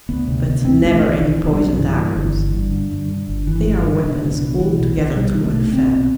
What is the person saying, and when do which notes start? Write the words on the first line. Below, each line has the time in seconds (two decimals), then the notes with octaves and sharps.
But never any poisoned arrows--they are weapons altogether too unfair.
0.09 D2 B3
0.27 C3
0.46 D2
0.65 B2 C4
0.83 B1 A3
1.02 B2 E3
1.21 B1 E3
1.39 B2
1.52 G3
1.58 B1
1.65 F#3
1.77 G2 E3
1.96 D3
2.15 G1
2.33 G1
2.53 G2
2.71 D3
2.91 G2
3.09 D3
3.28 G1
3.47 G1 E3
3.66 G2
3.84 D3
4.03 B2 D3
4.23 B1
4.31 D3
4.40 B2
4.59 B1 E3
4.79 B2
4.97 B1
5.16 B2 G3
5.35 B1
5.44 A3
5.53 B2
5.72 B1 C4
5.92 B2